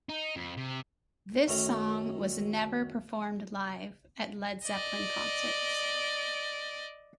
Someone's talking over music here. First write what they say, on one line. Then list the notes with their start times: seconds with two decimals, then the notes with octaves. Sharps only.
This song was never performed live at Led Zeppelin concerts.
0.09 D#4
0.36 F2
0.58 C3
1.48 F#2 D#3 A3 C#4 A#5
4.65 D5 D#5